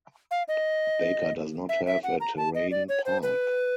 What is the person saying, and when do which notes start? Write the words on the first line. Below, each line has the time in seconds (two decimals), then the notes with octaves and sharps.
Baker does not have a terrain park.
0.31 F5
0.48 D#5
1.69 E5
1.86 E5
2.04 F#5
2.20 A#5
2.37 A5
2.55 D#5
2.71 D5
2.89 C#5
3.06 C5
3.23 B4